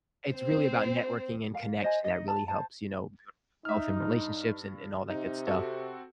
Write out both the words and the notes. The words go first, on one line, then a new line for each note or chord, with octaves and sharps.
it's really about networking and connection that really helps, you know, build wealth and relationships and and all that good stuff.
C4 C5
F5
C5 D#5 G#5
D#4 D#5
A5
C5 A5
D#4 E5 F6
G2
C3 D#4
C4 F#4 A4